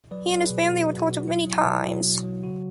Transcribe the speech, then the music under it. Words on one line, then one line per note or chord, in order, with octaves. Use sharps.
He and his family were tortured many times.
F#3 B4 D5
F#3
G#4 B4
B2
B2 F#4
F#3
F#4
B2
F#3 E4
F#3
B2
F#3 F#4
B2
F#3
C#3 F#4